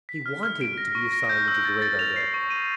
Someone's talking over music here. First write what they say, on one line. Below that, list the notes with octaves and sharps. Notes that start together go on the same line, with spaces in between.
He wanted to be assigned to the radar deck.
B6
F6
F6
D7
A#6
C#6
A#6
G6
E6
A6
A6
F7
C7
C#6
D#7